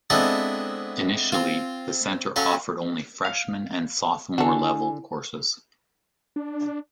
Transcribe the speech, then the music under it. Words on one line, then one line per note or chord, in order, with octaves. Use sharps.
Initially, the Center offered only freshman and sophomore-level courses.
G#3 B3 C4 D4 E4 A4
C4 F4
F#3 C#4 A4 F5
F5
D3 E4 F#4 A4 G#5
D4